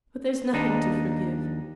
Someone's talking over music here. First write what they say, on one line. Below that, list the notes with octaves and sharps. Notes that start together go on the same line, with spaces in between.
"But there's nothing to forgive."
D#2 D4 D#4